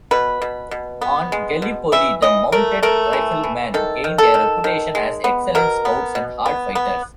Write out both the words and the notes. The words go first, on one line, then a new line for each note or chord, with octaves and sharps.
On Gallipoli the mounted riflemen gained a reputation as excellent scouts and hard fighters.
B2 B4
B2
B2
B3
G#3
B2
E3 E5
E3 D#5
A3 A#4
A3 A#4
E3
E3
D#3 A4
D#3
A4
D#3
D#3
G#3
B3
B2 A#4
B3
B2
B3
B3